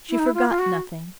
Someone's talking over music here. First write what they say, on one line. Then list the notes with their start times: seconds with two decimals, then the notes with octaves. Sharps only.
She forgot nothing.
0.10 E4
0.19 D#4
0.26 E4
0.34 F4
0.49 F4
0.59 F#4